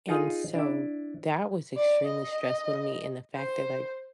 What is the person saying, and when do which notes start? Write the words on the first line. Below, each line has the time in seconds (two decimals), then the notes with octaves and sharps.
and so, that was extremely stressful to me, and the fact that, like
0.09 D#4 F4 G#4 D#5
0.55 D4 E4
1.77 D5
2.06 D#5
3.36 C5